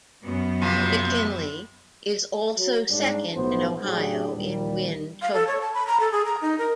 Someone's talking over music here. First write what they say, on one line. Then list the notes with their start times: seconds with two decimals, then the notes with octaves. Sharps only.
McKinley is also second in Ohio in win total.
0.24 F#2 B3
0.61 C3 F3
2.56 F#3
2.90 G#2 G3 D4
3.35 B1 A2 B3 C5
3.82 A2 F#3 D4 G4 G#4
4.35 D#2 A#2 G3
5.22 F5
5.34 A4
5.47 C#5
5.61 A5
5.74 B5
5.87 A#5
6.00 A4
6.12 G#4
6.25 A#5
6.41 D#4
6.58 A#4